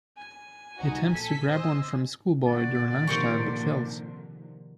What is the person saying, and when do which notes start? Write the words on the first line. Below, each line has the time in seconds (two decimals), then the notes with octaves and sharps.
He attempts to grab one from a schoolboy during lunch time but fails.
0.17 G#5
0.79 C2 D#4 F#4
1.12 A#1 A4 B6
1.48 C5 D#5 E6
2.47 A#2 D3 F#4 D5
3.07 C3 D#3 F3 A#4 C5 C#6